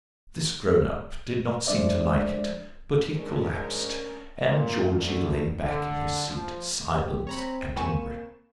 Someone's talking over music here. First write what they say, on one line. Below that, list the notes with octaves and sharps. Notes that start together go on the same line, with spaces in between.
This grown-up did not seem to like it, but he collapsed, and Georgie lay back in his seat, silent and enraptured.
F3 G#3 D4 C5 D5 E5
G#2 C#4 D4 A#4
A#2
D2
D3
F3
G4
C4 C#5 A#5 B5
A#3 C4 G#5 B5 C#6 E7